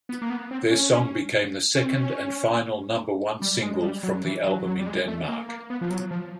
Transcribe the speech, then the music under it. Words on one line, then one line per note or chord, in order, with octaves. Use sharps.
The song became their second and final number-one single from the album in Denmark.
B3
A#3
B3
C4
C#4
C#4
C4
C#4
G3
G#3
G3
F#3
E3
F#3
F#3
G3
G#3
A3
A#3
A#3
B3
F3
F#3
F3